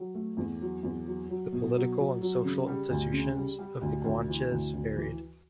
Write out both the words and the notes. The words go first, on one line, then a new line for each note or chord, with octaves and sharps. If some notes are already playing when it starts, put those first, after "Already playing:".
The political and social institutions of the Guanches varied.
Already playing: F#3
A3
E2
F#3
E2
F#3
F#3
B2
F#3
F#3
F#3
C#3
G3
D2
C#3
G3
G3
D2
D2
E3
D2
D2
E3